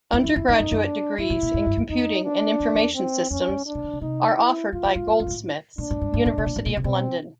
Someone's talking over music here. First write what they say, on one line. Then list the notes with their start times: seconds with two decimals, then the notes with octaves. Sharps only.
Undergraduate degrees in Computing and Information Systems are offered by Goldsmiths, University of London.
0.12 F2 E4
0.24 E2
0.36 F2
0.48 F#2 D#4
0.60 F#2
0.71 F#2
0.83 D4
1.18 G2 E4
1.30 A2
1.42 A#2
1.54 A2
1.66 G2
1.77 F#2
1.89 F2 D#4
2.25 D4
2.60 E2
2.75 E2
2.95 C4
3.30 F2 C#4
3.48 F#2
3.66 D4
3.75 B2
3.84 D3
3.93 C#3
4.01 C3 D#4
4.37 E4
4.72 G#2 F4
4.84 G#2
4.95 G#2
5.07 G2
5.20 F#2
5.27 A#2
5.31 A2
5.78 A#2 D4
5.91 A2
6.01 G2
6.14 G#2
6.26 A2
6.38 B2
6.46 A#2
6.56 A2
6.66 A#2
6.77 C3
6.84 B2 C4